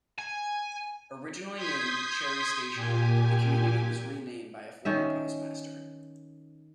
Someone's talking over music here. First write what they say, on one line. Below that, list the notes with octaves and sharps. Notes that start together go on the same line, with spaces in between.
Originally named Cherry Station, the community was renamed by a former postmaster.
G#5
C6 D#6 G6 G#6 B6
A#2 G4 G#5
D#3 C#4 E5